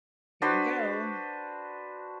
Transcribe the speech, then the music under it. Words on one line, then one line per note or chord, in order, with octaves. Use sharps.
Here you go."
D4 F#4 B4 C5